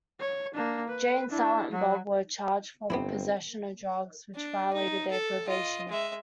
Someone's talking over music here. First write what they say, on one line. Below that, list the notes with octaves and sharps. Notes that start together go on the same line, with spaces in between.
Jay and Silent Bob were charged for possession of drugs, which violated their probation.
C#5
A#3 D4
B4
D4 E4
F#3
G1 B3 C4 D4 E4
D4
D#4
A4
F4 D#5
G#3 E5